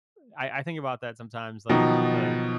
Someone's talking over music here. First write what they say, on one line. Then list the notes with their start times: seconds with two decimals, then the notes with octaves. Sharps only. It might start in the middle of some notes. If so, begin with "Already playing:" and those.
Uh, I I think about that sometimes, like, the
1.70 B2 D#3 F3 F#3 D#4 A#5